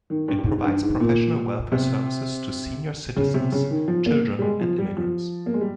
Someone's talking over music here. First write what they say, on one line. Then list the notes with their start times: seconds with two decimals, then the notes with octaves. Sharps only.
It provides professional welfare services to senior citizens, children and immigrants.
0.10 D#3
0.28 G2
0.38 G2
0.46 G#2
0.58 G#2
0.64 G2
0.83 G#2
1.00 A#2
1.72 C3
3.16 C#3
3.34 C3
3.52 C#3
3.70 D#3
3.88 F3
4.06 A#3
4.39 G3
4.42 G#3
4.61 F3
4.78 G3
4.97 F3
5.46 A#3
5.54 G#3
5.61 G3